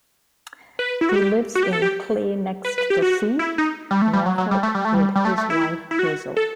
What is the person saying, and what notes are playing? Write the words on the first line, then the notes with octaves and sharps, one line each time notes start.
He lives in Cley-next-the-Sea, Norfolk with his wife Hazel.
B4
E4
F#4
G4
F#4
G4
A4
G4
B4
B4
G4
F#4
E4
D#4
G3
A3
G3
F#3
F#3
G3
A3
G3
A3
G3
G3
A3
A3
E4
E4
F#4
A4